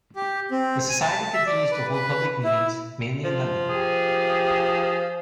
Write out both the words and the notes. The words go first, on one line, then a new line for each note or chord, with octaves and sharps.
The society continues to hold public meetings, mainly in London.
G4
C4
G#5
A5
E5
D5
B4
B4
E4
F3 C5
G4 G#4